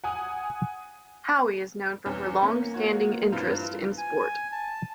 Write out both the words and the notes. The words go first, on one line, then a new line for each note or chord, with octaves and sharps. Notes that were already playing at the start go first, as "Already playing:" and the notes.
Hoey is known for her longstanding interest in sport.
F#5 G#5 D#6
E2 C#4
A#3 C#4
F4 F#4 C#5
G2 E3 F4 C5 A#5
G#5
A5